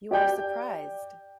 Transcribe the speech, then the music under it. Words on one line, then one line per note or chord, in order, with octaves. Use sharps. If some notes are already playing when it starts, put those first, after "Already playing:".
You are surprised.
G4 D5 G5 G6